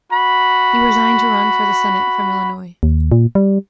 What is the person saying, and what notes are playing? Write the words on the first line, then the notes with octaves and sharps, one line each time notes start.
He resigned to run for the Senate from Illinois.
F#4 B5
D#2
A#2
G3